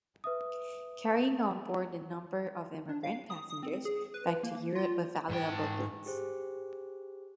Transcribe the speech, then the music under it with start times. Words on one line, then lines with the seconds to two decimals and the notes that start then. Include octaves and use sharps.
Carrying on board a number of emigrant passengers back to Europe with valuable goods.
0.24 B4 E5 D#6
2.89 D4
3.03 F5
3.30 D#6
3.50 D#6
3.63 C4
3.85 G#4
4.14 B4
4.43 A#3
4.75 F4
5.30 G#2 G5
6.06 G4 G#4 C5